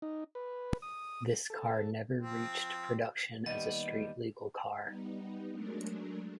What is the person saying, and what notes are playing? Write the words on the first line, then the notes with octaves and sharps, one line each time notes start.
This car never reached production as a street-legal car.
D#4
B4
D#6
A4
F3 C4
D#2 G3 B3 D#5
G3 B3 D#4
F#3 G#3 A3 D4 A#4